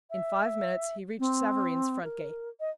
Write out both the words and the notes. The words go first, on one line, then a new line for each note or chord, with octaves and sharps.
In five minutes he reached Savareen's front gate.
E5
C4
A#4
D#5